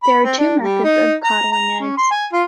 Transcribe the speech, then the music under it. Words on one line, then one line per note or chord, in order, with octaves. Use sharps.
There are two methods of coddling eggs.
B5
C4
D4
G3
D#4
A#5
A#5
C#4
C6
G#5
F4